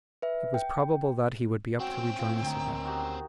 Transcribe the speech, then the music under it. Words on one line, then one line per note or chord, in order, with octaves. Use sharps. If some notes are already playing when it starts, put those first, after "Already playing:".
It was probable that he would be up to rejoin us again.
B4 E5
G5
C4 C#4 F#4 G5
F4
D2 D#3
D#4 F#4 G4